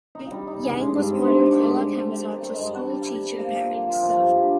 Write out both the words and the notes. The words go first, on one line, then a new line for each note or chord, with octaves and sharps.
Yang was born in Kuala Kangsar to schoolteacher parents.
D#4
G3
D#4
G#4
G#3
G2
C4
G4
D4
G#2
G#3
G#2
G4
A#4
G3
G2
D4
G3
G3
C3
A#3
A#2
A#3
F4
F3
G2
G4